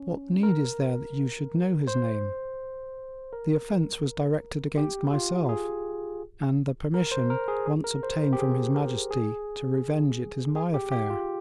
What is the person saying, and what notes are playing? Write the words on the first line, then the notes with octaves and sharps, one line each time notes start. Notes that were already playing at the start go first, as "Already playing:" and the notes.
"What need is there that you should know his name; the offense was directed against myself, and the permission once obtained from his majesty, to revenge it is my affair."
Already playing: C#4
A#4
C5
A#4
G4
F4
G#4
A#4
C5
A#4
G#4
G#4
A#4
C5
G4
G#4
A#4
G#4
G#4
G4
G4
F4